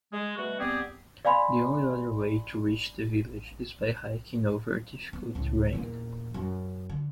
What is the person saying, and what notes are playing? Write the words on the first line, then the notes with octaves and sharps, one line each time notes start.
The only other way to reach the village is by hiking over difficult terrain.
G#3
B2 G3 A3 F#4
G3 B3 C4 G4 G#4
D5 F5 G#5 B5 C6
B3
C#2 A2
E2 A#2
F#2
D3